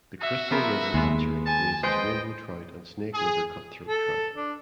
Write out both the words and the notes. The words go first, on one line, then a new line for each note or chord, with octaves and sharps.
The Crystal River hatchery raises rainbow trout and Snake River cutthroat trout.
F#4 E5
F3 B3 A#4 E5
D#2 G#3 B3
G#5 A5
G#3 B4 C5 D#5 G5
G#4
A4
D4